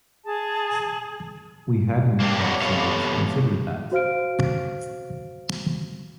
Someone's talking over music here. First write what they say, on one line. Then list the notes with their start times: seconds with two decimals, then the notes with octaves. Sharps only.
We hadn't, ourselves, considered that.
0.24 G#4 A5
2.20 A#3 C4 D4 G4
2.40 A#4 B4 C#5 D5 F#5
2.62 A3 B3 G4 A4 C#5 F5
3.92 F#4 C5 F5 F6 D7